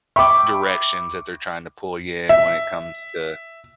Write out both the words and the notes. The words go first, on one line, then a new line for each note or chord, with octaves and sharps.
directions that they're trying to pull you in when it comes to
E5 G5 B5 C#6 D6
E5